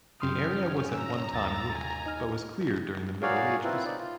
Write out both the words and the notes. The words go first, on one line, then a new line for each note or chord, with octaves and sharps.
The area was at one time wooded, but was cleared during the Middle Ages.
F#2 G5 C6 D#6 F6
C#4
A#5 E6
D#2 E6 A6
G#5
D#4 F6
F#4 G#4 A#4 C#5 D5 F5
C4 E4 F4 A#4 B4
D#4 D5
F4